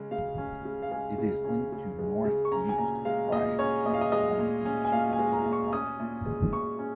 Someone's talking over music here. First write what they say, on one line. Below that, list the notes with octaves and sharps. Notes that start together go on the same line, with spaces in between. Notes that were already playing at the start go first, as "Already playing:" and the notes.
It is linked to North Uist by a long beach at low tide.
Already playing: C#3 G#3 C#4
C#3 F5
C#4
C#3
F5
G#3 G#5
C#3
C#4
C#3
G#3
C#3
C#6
C#4 A#5
G#5
A#2 A#5
G#3 F5
A#2 D#5
C#4 C#5
A#2 D#5
F5
D#5
G#3 D#5
A#2
C#4
G#5
A#2 F5
G#5
G#3
A#5
A#2
C#6
C#4 D#6
A#2
G#3
A#2 C#6
C#4